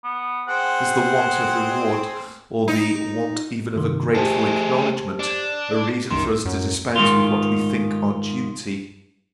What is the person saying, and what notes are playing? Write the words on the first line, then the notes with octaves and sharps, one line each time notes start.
Is the want of reward, or the want even of a grateful acknowledgement, a reason for us to dispense with what we think our duty?
B3
C4 G#4 C5 F#5
D#4
G2 C3 D#3
A3 G4 G#4 C5 A5
D4
C2 F#2 D#3 C6
F#2
G#2 D#3 F4